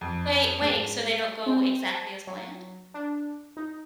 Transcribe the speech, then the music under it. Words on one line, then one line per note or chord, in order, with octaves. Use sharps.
Wait, wait, so they don't go exactly as planned?
F2
G#2
C4
A5
F#3
D4
D#4